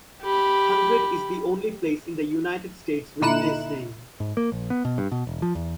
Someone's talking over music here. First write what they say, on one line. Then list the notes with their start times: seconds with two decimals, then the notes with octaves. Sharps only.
Hundred is the only place in the United States with this name.
0.22 G4 B5
3.22 A#2 D3 D#4 E4 F#6 E7
4.20 G#2
4.37 A#3
4.52 A#1
4.70 B3
4.85 B2
4.98 G2
5.12 B2
5.27 E1
5.42 F3
5.55 E2